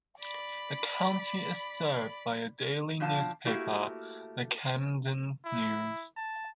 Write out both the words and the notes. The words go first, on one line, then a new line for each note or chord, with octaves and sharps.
The county is served by a daily newspaper, "The Camden News".
D5 B5
B2 F3 D4 F5 A5
A3 A#3 E4 F#4 G4
E4
A5